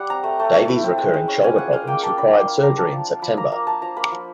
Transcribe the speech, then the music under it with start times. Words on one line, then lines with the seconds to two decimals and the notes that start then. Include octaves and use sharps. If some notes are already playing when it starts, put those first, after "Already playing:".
Davies' recurring shoulder problems required surgery in September.
Already playing: G3 F#5
0.10 C4 A#5
0.24 A3
0.39 A3
0.53 A3
0.69 E4
0.83 C4
0.98 G#3
1.14 G#3
1.28 C#4
1.44 C#4 G#5
1.58 F4 F#5
1.73 G#3 F5
1.87 A#3 G5
2.03 A#3 A5
2.17 D4 B5
2.33 A#3 C6
2.47 F4 B5
2.63 D4 A#5
2.78 F4 A5
2.92 F3
3.07 F4
3.22 F3 B5
3.37 A#3 A#5
3.52 A#3 A#5
3.67 A#3 A5
3.82 F3 A#5
3.97 A#3 B5
4.12 F3